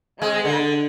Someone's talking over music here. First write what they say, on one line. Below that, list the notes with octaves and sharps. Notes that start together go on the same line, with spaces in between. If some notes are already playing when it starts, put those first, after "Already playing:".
Oh, yeah.
G#3
D3